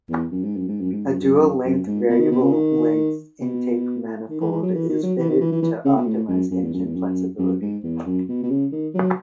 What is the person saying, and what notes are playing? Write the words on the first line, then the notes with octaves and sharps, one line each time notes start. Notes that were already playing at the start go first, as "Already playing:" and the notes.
A dual-length Variable Length Intake Manifold is fitted to optimise engine flexibility.
E2
F#2
G#2
F#2
G#2
F#2
G#2
F#2
F#2
F#2
G#2
B2
D#3
B2
C#3
D#3
B2
D#3
E3
E3
F#3
E3
D#3
F#3
E3
D#3
E3
E3
E3
C#3
B2
A2
F#2
F#2
E2
F#2
E2
F#2
F#2
G#2
E2
F#2
B2
B2
C#3
D#3
F#3